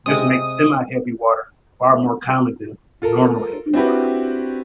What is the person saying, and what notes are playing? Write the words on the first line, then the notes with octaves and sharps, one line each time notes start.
This makes semiheavy water far more common than "normal" heavy water.
C3 G#3 C4 D#6
F4 A4 A#4
C4 D4 E4 F#4 G4 B4